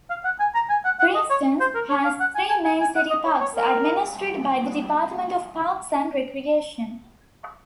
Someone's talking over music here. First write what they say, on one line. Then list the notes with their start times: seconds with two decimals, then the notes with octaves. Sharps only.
Princeton has three main city parks, administered by the Department of Parks and Recreation.
0.10 F5
0.24 F#5
0.40 G#5
0.54 A#5
0.69 G#5
0.85 F#5
0.99 F#5
1.15 D#5
1.30 C#5
1.60 C5
1.74 A#4
1.90 C#5
2.05 F5
2.20 F#5
2.35 G#5
2.49 G#5
2.65 G#5
2.80 G#5
2.95 F#5
3.10 D#5
3.25 C#5
3.40 C#5
3.55 A#4